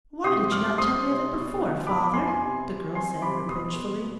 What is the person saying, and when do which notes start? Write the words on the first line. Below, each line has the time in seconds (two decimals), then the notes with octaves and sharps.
"Why did you not tell me of it before, father?" the girl said, reproachfully.
0.24 C3 C6 D#6
0.51 G3 D6 F6
0.78 C4 C6 D#6
1.05 C3
1.33 B2
1.59 B3
1.87 B2 B5 D6
2.00 B5 D6
2.13 B3 G#5 C6
2.27 G#5 C6
2.41 C3
2.68 G3
2.95 C4 G#5 C6
3.22 C3 B5 D6
3.49 B2 C6 D#6
3.76 B3
4.03 B2